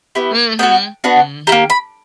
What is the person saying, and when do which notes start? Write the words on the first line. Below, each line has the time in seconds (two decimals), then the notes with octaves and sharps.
Mhm, mhm.
0.15 B3 E4 G4
0.59 B3 D4 F#4 G5
1.04 B3 D4 F#4
1.47 E4 G4 A#5
1.52 A#3
1.70 B5